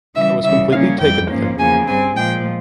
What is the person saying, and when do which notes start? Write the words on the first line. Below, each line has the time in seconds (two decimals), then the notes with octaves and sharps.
I was completely taken with him.
0.15 C#3 E3 G3 E5
0.44 C#3 E3 G3 E5
0.72 C#3 G3 A#3 C#4 F5
1.01 F2 E3 G3 G5
1.30 G#2 F3 A#3 C#4
1.58 E2 C#3 F3 A#3 G#5
1.87 G2 G3 C4 G#5
2.16 A#2 F3 G#3 G5